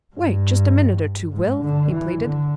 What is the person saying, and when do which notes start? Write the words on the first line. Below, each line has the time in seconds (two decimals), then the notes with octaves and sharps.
"Wait just a minute or two, Will," he pleaded.
0.16 G2
1.32 G#2
1.63 D3
1.92 E3
2.22 D3